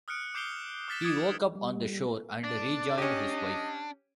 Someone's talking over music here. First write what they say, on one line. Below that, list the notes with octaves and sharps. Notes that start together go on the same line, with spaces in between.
He woke up on the shore and rejoined his wife.
D#6 F6 F#6 C#7 D7
D6 G6 C7 D7 F7 G7
D6 F6 A6 B6 E7 G7
D6 D#6 G#6 A6 D7
G3
D4 D5
C#4 G4 D#5